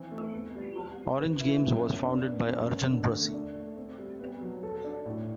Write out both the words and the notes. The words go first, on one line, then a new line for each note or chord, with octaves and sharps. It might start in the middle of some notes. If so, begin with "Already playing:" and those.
Orange Games was founded by Arjan Brussee.
Already playing: E3 C4
A3
B3
G3
G4
C4
B4
E4
F#2
B3
D4
B3
F#2
B3
D3
A3
D4
A3
C4
G3
B3
F#3
A4
D4
A2